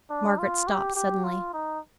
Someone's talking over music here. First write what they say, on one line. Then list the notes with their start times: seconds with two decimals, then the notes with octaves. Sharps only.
Margaret stopped suddenly.
0.10 D4
0.39 F4
0.68 G4
0.95 G4
1.24 F4
1.54 D#4